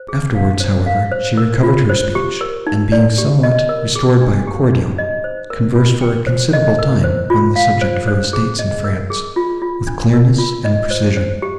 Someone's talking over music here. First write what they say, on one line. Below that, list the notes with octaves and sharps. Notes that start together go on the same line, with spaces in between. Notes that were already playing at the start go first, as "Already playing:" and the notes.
Afterwards, however, she recovered her speech, and, being somewhat restored by a cordial, conversed for a considerable time, on the subject of her estates in France, with clearness and precision.
Already playing: C5
G#4
F5
C5
F5
C5
A#4
F4
C5
G4
A#4
D#4
D5
G4
D#5
A#4
G#4
D4
G4
D#4
D#5
C5
A#4
F4
G5
C5
D#5
A#4
C5
F4
F5
C5
C5
G#4
D#5
A#4
G#4
F4
F4
D4
A#4
F4
D#5
C5
C5
G4